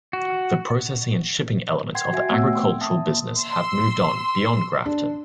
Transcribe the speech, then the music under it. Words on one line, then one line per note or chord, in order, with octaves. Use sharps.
The processing and shipping elements of the agricultural business have moved on beyond Grafton.
F#4
F#5 G5 C6 G#6 C7
F#4 E5 G#5
A3 B3 C4 C#5 F#5 E6
G5 C6
E5 A5 D#6
A#3
C6 E6
D4